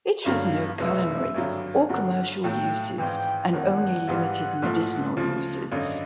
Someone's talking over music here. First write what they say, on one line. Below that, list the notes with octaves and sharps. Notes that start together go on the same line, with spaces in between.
It has no culinary or commercial uses and only limited medicinal uses.
G1 G2 D3 F#3 F5
F1 E2 B2 G#3 B3 E5
G#1 G2 D3 F#3
G2 D3 F#3 F#5
B1 A2 F#3 A3 G5
G#1 G#2 E3 G5
G1 F#2 D#3 F#5
G#1 G#2 E3 G3
A#1 G#2 F3 A3
D2 C#3 F3
G#1 F#2 D3 D#5